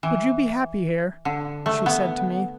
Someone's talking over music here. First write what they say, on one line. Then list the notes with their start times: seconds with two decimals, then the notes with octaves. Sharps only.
"Would you be happy here?" she said to me.
0.03 E3
1.25 D3
1.66 A3
1.86 B3